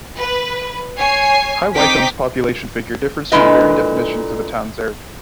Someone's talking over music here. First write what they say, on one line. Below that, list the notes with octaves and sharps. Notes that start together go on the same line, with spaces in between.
High Wycombe's population figure differs with the varying definitions of the town's area.
B4
C#5 G#5 C7
C4 D#4 G5 D6 B6
A#2 D3 G#3 E4 B4 D#5